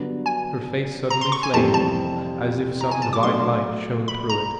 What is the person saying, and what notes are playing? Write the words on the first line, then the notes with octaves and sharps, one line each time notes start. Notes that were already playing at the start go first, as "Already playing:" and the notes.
Her face suddenly flamed, as if some divine light shone through it.
Already playing: G2 D3 F#3 B3
G#5
A#5
C6
C#6
G#5
F2 C3 E3 G3 C4 A5
A5
A#5
G#5
A5
D6
F#3 A3 D4 F#4 A4 C6
B5
A#5